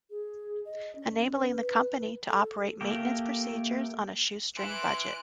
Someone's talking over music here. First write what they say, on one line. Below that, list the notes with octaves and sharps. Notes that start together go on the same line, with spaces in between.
Enabling the company to operate maintenance procedures on a 'shoe string' budget.
G#4
D#5
C#4
B4
A4
A3 A#3 G4
E3 C6 F#6 D7